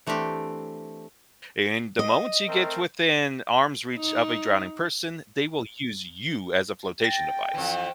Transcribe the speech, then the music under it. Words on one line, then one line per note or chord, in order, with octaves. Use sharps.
i in the moment she gets within arm's reach of a drowning person, they will use you as a flotation device,
E3 A3 C4 D4 G4
D#5
A3 C4 A#4
D#4
G5 A6 A#6
F2 E3